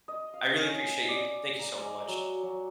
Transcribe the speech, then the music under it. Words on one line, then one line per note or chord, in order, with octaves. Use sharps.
I really appreciate you, thank you so much.
D#5
F5
C#4
D5
A#5
G#3
F#3
F#3